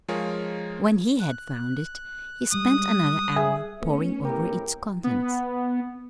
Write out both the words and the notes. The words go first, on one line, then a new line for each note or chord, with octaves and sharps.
When he had found it he spent another hour poring over its contents.
F3 G#3 F4 G#4 A#4 C#5
F#6
G3 G#3 D#6
G#4 E5 G#5
A3 B3 C#4
A2 G4 A#4
B3